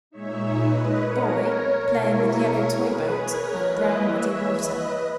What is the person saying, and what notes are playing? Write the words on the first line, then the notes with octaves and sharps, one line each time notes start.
Boy playing with yellow toy boat on brown muddy water.
A#2 G#3 D#4 C#5 E5
B4 D#5
A#4 C#5
B2 A#3 E4 A#4 C#5
G#4 B4
A#4 C#5
E3 A#3 E4 B4 D#5
C#5 E5
B4 D#5